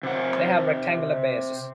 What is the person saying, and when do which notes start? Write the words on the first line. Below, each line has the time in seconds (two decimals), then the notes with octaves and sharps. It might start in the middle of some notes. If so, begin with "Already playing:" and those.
They have rectangular bases.
0.03 C3 F#5